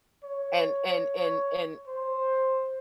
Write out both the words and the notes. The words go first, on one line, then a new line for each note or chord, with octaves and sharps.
and and and and
C#5
C5